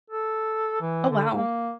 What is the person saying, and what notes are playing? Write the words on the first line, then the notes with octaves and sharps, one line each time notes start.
Oh wow.
A4
E3
D3
A#3